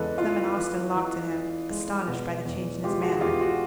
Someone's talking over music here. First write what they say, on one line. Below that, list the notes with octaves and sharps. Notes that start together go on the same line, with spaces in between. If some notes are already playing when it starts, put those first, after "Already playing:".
Clement Austin locked at him, astonished by the change in his manner.
Already playing: E2 C#3 G#3 A4 B4 D#5
E3 F4
E3
E3
E3
G#3
B2
E2
G#3 F4 G4
F#4 G#4
G#4
E2 F4 G4
F#4